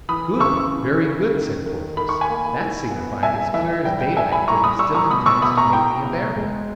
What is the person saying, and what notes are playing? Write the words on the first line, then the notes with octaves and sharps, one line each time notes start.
"Good, very good," said Porthos; "that signified as clear as daylight that he still intends to make me a baron."
E3 B5 D#6
C#3 C#6 E6
E3
C#3
D#3
D#3
D#3 B5
C#6
G#5 B5
A#3
E4
B3
G3 E5 G#5
E3 E5
G3 G5
G5
G3 E5 G#5
G#5 B5
E4 A#5 C#6
B5 D#6
G3 C#6 E6
A#5 C#6
B2 B5 D#6
C#6 E6
B2 B5 D#6
A#5 C#6
E4 G5 A#5
B2
G#3